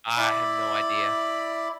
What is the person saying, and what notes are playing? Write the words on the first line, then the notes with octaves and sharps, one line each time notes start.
I have no idea.
E4 D5 B5